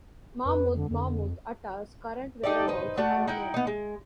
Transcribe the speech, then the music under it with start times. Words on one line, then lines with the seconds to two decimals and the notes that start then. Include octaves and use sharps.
Mahmoud Mahmoud Atta's current whereabouts are unknown.
0.46 F2 B4
0.75 D3
0.91 F2 D3
2.43 D#4 G4 A4 D5
2.68 D#4 B4 C5
2.97 A3 F#4 D5 F#5
3.28 D#4 E4 F#5 G5
3.54 B3 D#4
3.67 G#3